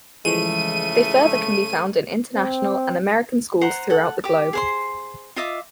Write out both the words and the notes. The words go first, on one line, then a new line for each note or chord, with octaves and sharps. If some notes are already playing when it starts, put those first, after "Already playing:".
They further can be found in international and American schools throughout the globe.
C#3 E3 F3 G#3 A3 D#7
C4
C5 F#5 A#5
A4 F#5
G4 D6
G#4 C5 C6
F4 D#5 E5 D6